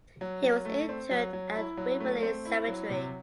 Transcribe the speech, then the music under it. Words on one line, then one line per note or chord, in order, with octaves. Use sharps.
He was interred at Waverley Cemetery.
F#3
F#3
A3
C4
F#3
F#3
E4
F#3
A3
C4
E4
F#3
C3